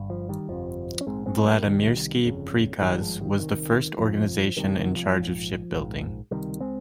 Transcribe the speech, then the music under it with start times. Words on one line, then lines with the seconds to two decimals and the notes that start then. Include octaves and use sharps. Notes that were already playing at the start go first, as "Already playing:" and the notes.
Vladimirsky Prikaz was the first organization in charge of shipbuilding.
Already playing: G1 G2
0.10 F3
0.29 D#3 G3
0.48 G1 F2 C3 F3
1.01 C#4
1.07 A#1 G#2 G#3 C4
1.26 G#3 C4
1.46 G3 A#3
1.65 C2 C3 D#3 G3
2.24 G1 F2 C#3
2.81 G#1 G2 D#3 G3
3.01 F3 G#3
3.21 D#3 G3
3.40 C2 C3 D#3
3.98 F1 F2 C3 F3
4.56 C2 C3 D#3 G3
4.76 D#3
4.96 F3
5.16 A#1 G#2
5.73 A#1 G#2
6.31 C#2 C3 D#3 G3
6.61 G#3 C4